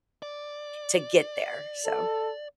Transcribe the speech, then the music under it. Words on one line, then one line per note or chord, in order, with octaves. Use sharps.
to get there, so
D5
A4